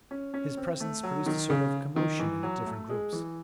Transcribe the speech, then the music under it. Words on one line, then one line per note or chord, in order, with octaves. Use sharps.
His presence produced a sort of commotion in the different groups.
C#4
C#4
C4
A3
F#3
D#3
C#3
D#3
E3
F#3
A3
G#3
E3